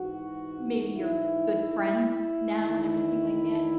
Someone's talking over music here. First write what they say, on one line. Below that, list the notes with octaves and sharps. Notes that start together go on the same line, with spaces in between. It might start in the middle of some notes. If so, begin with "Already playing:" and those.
maybe you're good friends now and everything like that,
Already playing: G#2 E3 F#4
E4
E2 D#3